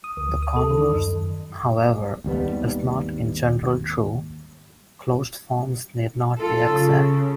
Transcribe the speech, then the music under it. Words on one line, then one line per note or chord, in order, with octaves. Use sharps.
The converse, however, is not in general true; closed forms need not be exact.
D#6
D2
D#6
A4
D#3
F#2
G#1 D#2 G3 B3
F4 A4
C#3